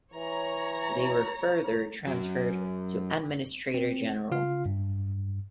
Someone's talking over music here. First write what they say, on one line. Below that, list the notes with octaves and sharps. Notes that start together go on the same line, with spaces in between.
They were further transferred to Administrator General.
E3 C#5 A#5
F#2 F#3
C4
C#3 F4 F5
G2